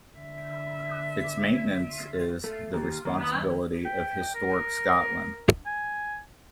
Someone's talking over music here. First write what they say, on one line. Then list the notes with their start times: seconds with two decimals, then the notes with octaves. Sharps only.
Its maintenance is the responsibility of Historic Scotland.
0.18 D3 E5
2.44 A3
2.73 D#2
3.05 D#2
3.85 G5
4.35 A#4
5.66 G#5